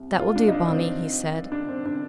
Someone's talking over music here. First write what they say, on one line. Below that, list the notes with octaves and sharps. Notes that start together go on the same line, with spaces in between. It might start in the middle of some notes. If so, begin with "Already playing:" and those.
"That will do Bonni," he said.
Already playing: C2 C3
F4
D4
D#4
D4
C4
D4
C4
D4